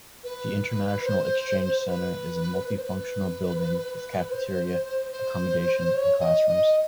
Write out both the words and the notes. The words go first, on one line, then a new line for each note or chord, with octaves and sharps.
The International Exchange Center is a multi-functional building with cafeteria, accommodation and classrooms.
B4
C5
B4
B4
C5
B4
C5
C5
C#5
D#5
D#5